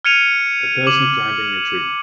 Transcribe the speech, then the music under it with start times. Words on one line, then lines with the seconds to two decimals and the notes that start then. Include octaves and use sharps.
A person climbing a tree.
0.05 F6 G#6 C#7 D#7 F7
0.87 D6 F#7